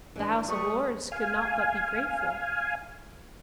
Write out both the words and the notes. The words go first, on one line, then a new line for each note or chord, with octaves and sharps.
The House of Lords could not but be grateful.
E3 D4
G3 A3 B4 C#6 D#6
F5 G#5